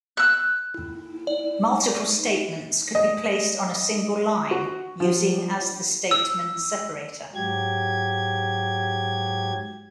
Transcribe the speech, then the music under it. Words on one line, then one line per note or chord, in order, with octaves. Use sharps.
Multiple statements could be placed on a single line using as the statement separator.
E6 F#6
D5
D#5
F#4
F3
E6
G#2 F#3 G4 G#6